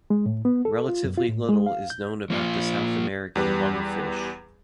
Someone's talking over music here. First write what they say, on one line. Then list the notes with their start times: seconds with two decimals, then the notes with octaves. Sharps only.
Relatively little is known about the South American lungfish.
0.10 G#3
0.26 A2
0.45 B3
0.65 A4
0.89 F4
1.04 F#2
1.17 F4
1.29 A2
1.49 G#3
1.66 F5
1.90 G6
2.30 F3 A#3 F4 F5
3.35 E2 G3 B4